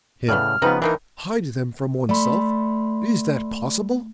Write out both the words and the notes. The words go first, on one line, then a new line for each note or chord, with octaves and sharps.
HIM: Hide them from oneself--is that possible?
A2 C#3 B3 D5 F6
C#3 F3 B3 C4 D#4 B4
E3 A#3 B3 D4 D#4 A#4
A3 D5 B5 C6